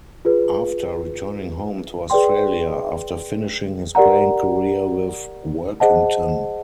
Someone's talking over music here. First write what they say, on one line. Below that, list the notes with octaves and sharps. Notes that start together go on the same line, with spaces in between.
After returning home to Australia after finishing his playing career with Workington.
F4 G#4 B4
G#4 B4 D5 G5 C6
G4 A#4 D5 F#5 A#5
G#4 C5 D#5 F#5 A5